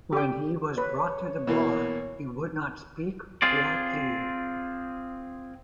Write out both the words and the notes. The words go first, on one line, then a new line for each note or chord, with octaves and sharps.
When he was brought to the bar, he would not speak or plead.
G4 G5
B4 C#5
B2 E3 A#3
C4 F4 G#4 D5